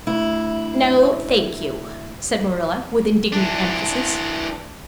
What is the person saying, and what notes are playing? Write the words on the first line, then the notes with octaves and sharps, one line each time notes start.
"No, thank you," said Marilla, with indignant emphasis.
D2 E4
E3 D4